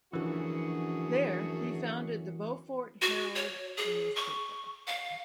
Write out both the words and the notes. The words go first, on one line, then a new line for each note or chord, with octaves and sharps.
There, he founded the "Beaufort Herald" newspaper.
F#2 D3 E3 F3 A3 F#4 G#4
F#4
C#5
G#4
C#6
F5